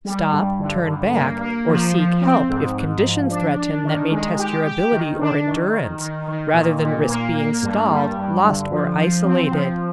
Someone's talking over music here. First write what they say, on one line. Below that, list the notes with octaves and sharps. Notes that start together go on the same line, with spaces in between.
Stop, turn back, or seek help if conditions threaten that may test your ability or endurance, rather than risk being stalled, lost or isolated.
G3
G2
D3
G2
A#3
A#3
F3
F3
C4
G#2
G#2
F3
D4
D4
D#3
G#3
G4
G4
D#3
D4
D#3
D#3
D#3
D#3
A#2
A#2
A#3
A#3
G2
G3
G2
D3
F3
F3
C4
F3